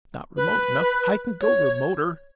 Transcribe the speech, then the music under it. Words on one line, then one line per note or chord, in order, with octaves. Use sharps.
If not remote enough, I can go remoter.
B4
C#5